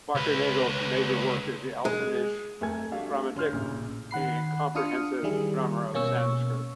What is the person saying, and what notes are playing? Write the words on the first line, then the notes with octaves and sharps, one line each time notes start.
Wackernagel's major work is the "Altindische Grammatik", a comprehensive grammar of Sanskrit.
C#2 B4
G#3
F2 A3 A#4 G#5 G#6
G3 A3 D4 F#4 E5 F5
D3 C#4 C6 F6 G6
A1 A#2 C#3
D#3 F#5 B5 C7
D4 F4 D#6 F6 C#7
D#3 E3 G3 E4 G#4
B2 A#3 C#4 C#6 E6